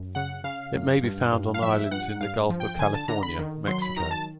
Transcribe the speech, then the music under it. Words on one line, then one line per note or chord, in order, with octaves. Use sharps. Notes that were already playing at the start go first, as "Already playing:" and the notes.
It may be found on islands in the Gulf of California, Mexico.
Already playing: F#2
C#3 F#5
C#3 F5
F#2
G2
G2
F5
F3 E5
G2 F#5
G2 F5
F3
G5
D3 G#5
A5
D3 A#5
B5
D#3
F#3 C6
B5
D#3 A#5
A5